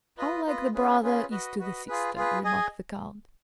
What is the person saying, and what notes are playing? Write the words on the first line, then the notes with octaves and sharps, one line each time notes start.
"How like the brother is to the sister," remarked the count.
F4 B4 D#5
F4 B4 D#5
C#4 F4 G#4 B4
C#4 F4 G#4 B4
F#4 B4 D#5
F#4 B4 D#5
F4 G#4 B4
F4 G#4 B4
G#4 D#5 G#5